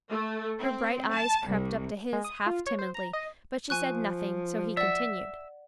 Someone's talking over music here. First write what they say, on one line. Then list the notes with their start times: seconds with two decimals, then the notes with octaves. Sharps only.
Her bright eyes crept up to his, half-timidly; but she said nothing, so he continued.
0.11 A3
0.60 C4
1.14 A5
1.49 C2
2.13 G#3
2.24 D#6
2.46 F4
2.67 C#5
2.79 C5
2.95 A#5
3.13 D#5
3.70 F3 G#5 C#6 F#6
4.77 D5 E5 F#5